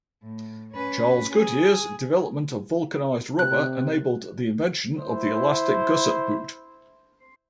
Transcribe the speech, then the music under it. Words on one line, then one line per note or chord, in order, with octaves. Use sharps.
Charles Goodyear's development of vulcanised rubber enabled the invention of the elastic gusset boot.
A2
C#4 B4
G#4
C3 F#6
E4 C5